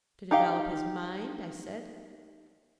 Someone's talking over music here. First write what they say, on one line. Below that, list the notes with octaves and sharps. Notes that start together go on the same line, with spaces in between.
"To develop his mind," I said.
D#4 G4 F5